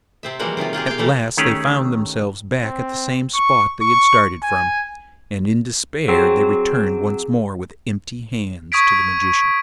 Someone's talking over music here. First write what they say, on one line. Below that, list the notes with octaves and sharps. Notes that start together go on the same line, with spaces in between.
At last they found themselves back at the same spot they had started from, and in despair they returned once more with empty hands to the Magician.
C3 C4 E5
E3 F3 G3 G#3 A#3 F#4
C3 D#3 F#3 F4
A#3 F4 G4 G#4
F5 G5
E3 G3 A3 A#4
D#3 A3 C#4 G4 G#4
C4
C#6
C#6
G#5
F#3 C4 G#4
C#6 D#6 G#6 B6 D7